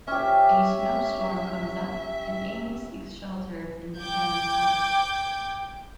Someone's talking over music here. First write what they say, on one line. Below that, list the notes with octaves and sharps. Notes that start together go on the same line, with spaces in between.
A snow storm comes up, and Amy seeks shelter in the Farrens' house.
C#4 G4 E5
G5 D6 G6 G#6